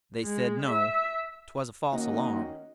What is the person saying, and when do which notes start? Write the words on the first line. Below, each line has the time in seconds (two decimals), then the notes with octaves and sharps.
They said, no, 'twas a false alarm.
0.23 G#3
0.70 E5
1.92 D#3 A#3 C#4 D#4 F#4 D#5